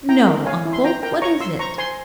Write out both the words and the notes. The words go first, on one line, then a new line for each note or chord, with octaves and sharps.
"No, uncle, what is it?"
E4 G5 A#5
A#4
C#5 F5 G#5
E4
C6
F4 G5 A#5
A#4 G5 A#5
C#5 A#5 C#6
F4 C6 E6
C5 A#5 C#6
C5 G#5 C6